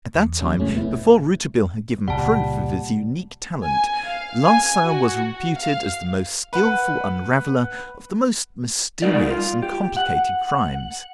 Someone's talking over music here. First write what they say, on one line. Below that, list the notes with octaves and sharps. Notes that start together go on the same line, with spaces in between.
At that time, before Rouletabille had given proof of his unique talent, Larsan was reputed as the most skilful unraveller of the most mysterious and complicated crimes.
E2
D#2 F#3 C#4
E2 A2 C3 G#3 A3 C#4
B3 E4
A1 A#2
C#2 A#2 G3 F#5 A5
G#5
F5
G#5
F#4
F5
B4 F#5
G3 G#3 D#4 A#4 D5
F4
G4
F#5